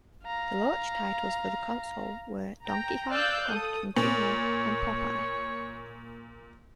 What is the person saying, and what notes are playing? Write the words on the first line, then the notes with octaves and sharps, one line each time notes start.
The launch titles for the console were "Donkey Kong", "Donkey Kong Junior", and "Popeye".
F5 A#5
G5 A#5
D5 F5 E6 F#6 G6
A4 D#6
A#2 C#5